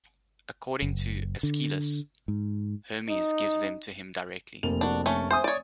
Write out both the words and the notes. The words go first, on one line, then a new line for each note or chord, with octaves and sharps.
According to Aeschylus, Hermes gives them to him directly.
F#1
D3
G#2
D#4
F1 A#3 F7
D4 F#4
A3 C#4
C5 E5 G#5 D#6
C#5 D5